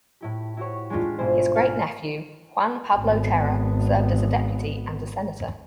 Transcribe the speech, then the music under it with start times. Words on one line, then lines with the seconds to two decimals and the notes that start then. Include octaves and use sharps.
His great-nephew Juan Pablo Terra served as a Deputy and a Senator.
0.21 A2 E4 G4
0.57 E4 F#4 G4 C#5
0.90 G#3 A3 D4 D#4 F4 G4
1.18 G#1 B2 E4 C5 G#5
1.55 F5 G#5
2.96 G#1 B3